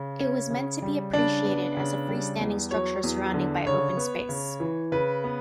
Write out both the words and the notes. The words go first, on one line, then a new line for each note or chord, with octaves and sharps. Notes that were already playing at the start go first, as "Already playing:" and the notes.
It was meant to be appreciated as a free-standing structure surrounded by open space.
Already playing: C#3
C#4
C#3
G3
C#3 D4
B3
C#3
G3
E2
F#3 C#5
E2
D3
C#3 C#5
B3
C#3
E3
C#3 B4
B3